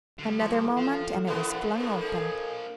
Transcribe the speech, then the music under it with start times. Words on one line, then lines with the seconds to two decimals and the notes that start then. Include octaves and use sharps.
Another moment, and it was flung open.
0.19 D3 G3
0.40 A2 E3
0.77 F3
1.27 C3 E3 A#3 B3 D4
1.77 A2 C3
2.01 D#4 G#4